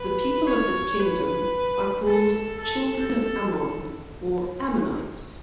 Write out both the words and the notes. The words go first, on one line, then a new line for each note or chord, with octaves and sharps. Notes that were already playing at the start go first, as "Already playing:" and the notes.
The people of this kingdom are called "Children of Ammon" or "Ammonites".
Already playing: B4
C#5
B4
A4
A4